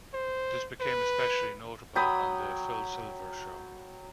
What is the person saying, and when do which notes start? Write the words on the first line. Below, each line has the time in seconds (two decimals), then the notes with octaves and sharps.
This became especially notable on "The Phil Silvers Show".
0.14 C5
0.80 B4
1.96 F#3 G5 B5 D#6